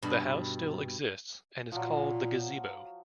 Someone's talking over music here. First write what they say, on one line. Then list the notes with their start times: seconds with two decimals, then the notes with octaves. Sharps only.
The house still exists and is called the 'Gazebo'.
0.02 G2 B2
1.72 A#2 F3 F#3